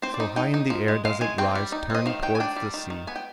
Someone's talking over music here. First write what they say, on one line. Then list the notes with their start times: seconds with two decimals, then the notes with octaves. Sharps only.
So high in the air does it rise turned towards the sea.
0.02 C4 C5
0.14 D5
0.20 D#4
0.36 D#4 G5
0.54 D#4
0.70 F3
0.88 G#3
1.05 G#3 F5
1.21 G#3 G#5
1.38 C4 G5
1.55 G3
1.72 D#4
1.90 C4 D#5
2.06 D#3 F5
2.23 D#3 G5
2.35 G#5
2.40 D4 G5
2.56 G3
2.74 D#3
2.90 D#3
3.07 B3 G#5
3.16 G5